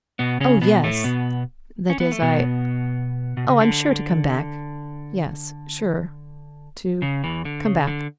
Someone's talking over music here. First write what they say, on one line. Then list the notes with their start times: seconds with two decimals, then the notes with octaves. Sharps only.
"Oh yes--that is, I----Oh, I'm sure to come back--yes--sure--to--come--back."
0.19 B2 B3
0.40 C#3 C#4
0.61 B2 B3
0.84 A2 A3
1.04 B2 B3
1.90 C#4
2.00 B3
2.12 A3
2.22 B2 B3
3.37 B2
3.49 C#3
3.61 D3
7.02 C#3
7.24 E2 E3
7.45 D3
7.66 C#3
7.87 D3